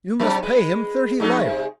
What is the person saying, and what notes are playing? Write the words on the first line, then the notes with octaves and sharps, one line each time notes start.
"You must pay him thirty lira."
F#3 C4 D4
G#3 B4
F2 F#3 D#4
C3 G#3